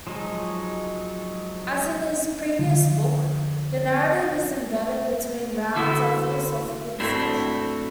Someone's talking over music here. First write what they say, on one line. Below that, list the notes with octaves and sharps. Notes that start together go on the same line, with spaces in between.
As in his previous book, the narrative is embedded between rounds of philosophical discussion.
F3 F#3 G#3 D#4
D3 F3
D3 E4 F#4 A4
G#2 A3 C4 D4 E4 F#4